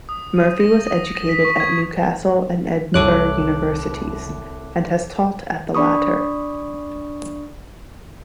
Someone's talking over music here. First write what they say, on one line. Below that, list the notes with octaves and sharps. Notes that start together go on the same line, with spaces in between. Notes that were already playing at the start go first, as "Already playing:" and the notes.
Murphy was educated at Newcastle and Edinburgh Universities, and has taught at the latter.
D#6
D#7
A#6
D#6
A#6
B6
C#6
G#6
C2 A4 C#5 D6 F#6
D4 D5 B5 C#6 D#6